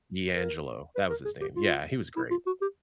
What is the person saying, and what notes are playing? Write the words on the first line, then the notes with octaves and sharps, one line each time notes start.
D'Angelo, that was his name, yeah, he was great.
A#4
B4
A#4
G#4
G4
F4
E4
F4
F#4
G4